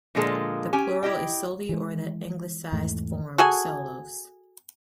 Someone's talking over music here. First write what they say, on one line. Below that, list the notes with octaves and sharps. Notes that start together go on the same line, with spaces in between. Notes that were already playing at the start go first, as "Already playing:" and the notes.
The plural is "soli" or the anglicised form "solos".
A#2 D3 F3 G#3 A#3 A4
C#4 G4 G#5
E4 G4 D#5 G5
E3 G#3
E2 G#2 E3 A3
F#4 G#4 A4 G#5